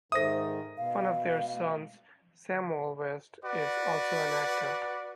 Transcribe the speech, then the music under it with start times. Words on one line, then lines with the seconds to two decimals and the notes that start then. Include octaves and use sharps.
One of their sons, Samuel West, is also an actor.
0.12 G#2 D#3 A4 C5 E5 D#6 A#6
0.77 B2 F5
3.44 F#4 B4 D5